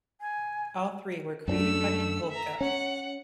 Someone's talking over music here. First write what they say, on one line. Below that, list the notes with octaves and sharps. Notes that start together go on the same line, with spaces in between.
All three were created by Tucholka.
G#5
F#2 A3 C#4 D4 E6
E5 A#5
C#4 F#5